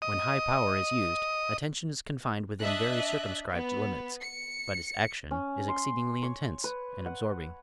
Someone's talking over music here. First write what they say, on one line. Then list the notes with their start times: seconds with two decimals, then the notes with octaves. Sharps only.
When high power is used attention is confined within very circumscribed limits, but its action is exceedingly intense and absorbing.
0.02 D#5 D#6
2.61 D4 D#5 E5 F#6
3.52 B3
4.22 C#7
5.31 C#4
5.68 C6
6.23 C#5
6.64 B4
7.06 F#5